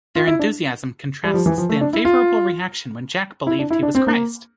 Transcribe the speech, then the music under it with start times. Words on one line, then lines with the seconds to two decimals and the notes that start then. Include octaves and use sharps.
Their enthusiasm contrasts the unfavorable reaction when Jack believed he was Christ.
0.16 F4
0.27 E4
0.39 D4
1.24 G3
1.34 F3
1.46 E3
1.58 F3
1.69 A3
1.81 D4
1.93 E4
2.05 F4
3.47 E4
3.59 D4
3.70 E4
3.83 D4
3.95 C4
4.07 A#3